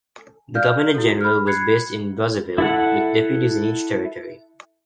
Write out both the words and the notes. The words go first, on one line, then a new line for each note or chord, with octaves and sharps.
The Governor-General was based in Brazzaville with deputies in each territory.
D5 F5 F6 G6
E4 F#4 A4
B5 F6
B5 F#6 G#6 C7 C#7
E4 A4 F#5